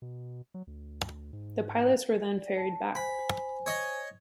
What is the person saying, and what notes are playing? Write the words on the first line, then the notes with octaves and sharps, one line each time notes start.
The pilots were then ferried back.
B2
F#3
D2
G#2
D5
A5
C5 G#5 B5
C#5 D#5